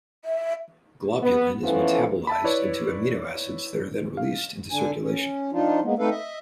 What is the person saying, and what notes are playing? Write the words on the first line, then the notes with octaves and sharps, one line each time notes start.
Globulin is metabolised into amino acids that are then released into circulation.
E5
B3
A2 E3 F3 A3 B3 C#4
E5 A5 B5
E4 B4 C#5 D5
F5
D3 D4 G#5
C#4
F3 D4 D#4 F4
G#3 A#3 B3
A3 C4 D#4 A4 B4 F5
D#5 E5